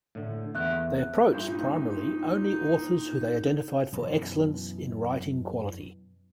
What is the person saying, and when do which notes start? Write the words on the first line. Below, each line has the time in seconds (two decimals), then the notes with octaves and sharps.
They approached primarily only authors who they identified for excellence in writing quality.
0.15 A2 D3
0.55 E2 E5 F#5 F#6
1.32 G2 A#2 D#4 E4
3.93 F#2 B2 E3